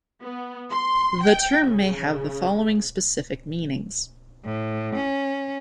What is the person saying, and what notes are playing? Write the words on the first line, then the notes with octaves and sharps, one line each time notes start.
The term may have the following specific meanings.
B3
C6
G5
C#3
A2
C#4